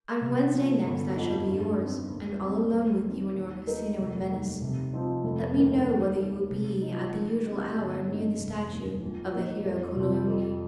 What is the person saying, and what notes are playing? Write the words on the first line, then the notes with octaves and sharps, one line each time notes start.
On Wednesday next I shall be yours, and all alone with you in your casino in Venice; let me know whether you will be at the usual hour near the statue of the hero Colleoni.
C3
F3 C4 F4
G1
F2 F3 D#4
G2
D#3 C4
D#2
D#3 G3 C4
D#2
D#3 C4
D#2
D#3 A#3 D#4 A#4
F1
D#2 D#3 G3
C3
F3 C4 D#4
F1
D#2 D#3 A#3
D#2
D#3 G3
C3
F3 D#4
D#3
C4 G4 D#5
G1
G2 G3 C4 D#4
F1
D#2 D#3
A#1
A#2 A#3 D#4
F2
C3 F3 C4
F2